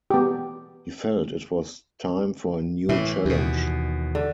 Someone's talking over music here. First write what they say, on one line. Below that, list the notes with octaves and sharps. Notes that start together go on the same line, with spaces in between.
He felt it was time for a new challenge.
B3 G4
A2 E3
D#2 B2
D3